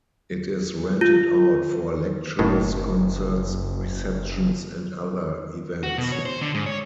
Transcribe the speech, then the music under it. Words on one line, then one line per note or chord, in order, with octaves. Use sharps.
It is rented out for lectures, concerts, receptions and other events.
F4
F#1 C#2 A2 D#3
F#4
B2
C#5
C5
D3
G#2
C#5